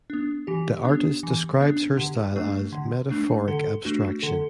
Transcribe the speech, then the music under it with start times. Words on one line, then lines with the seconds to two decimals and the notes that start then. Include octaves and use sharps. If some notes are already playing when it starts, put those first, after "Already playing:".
The artist describes her style as "metaphoric abstraction".
0.10 B3 D4
0.47 E3 G4
0.85 B3 D4
1.23 E3
1.61 B3 D4
1.97 D3 G4
2.36 A3 D4
2.72 D3
3.10 A3 D4
3.48 D3 A4
3.85 A3 D4 F#4
4.23 D3 A4